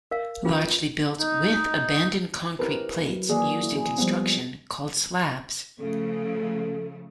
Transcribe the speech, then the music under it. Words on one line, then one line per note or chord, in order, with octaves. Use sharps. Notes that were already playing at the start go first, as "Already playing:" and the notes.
Largely built with abandoned concrete plates used in construction, called slabs.
A#4 F5
C#4 F4 G#4 B4 G5 A#5
D#4
C4 E4 G4 A#4 B4
F#3
D#3 E3 A#3 G#4 D5
E4
G#4
F3 G3 G#3 B3 C4
C#3 F3 A3 A4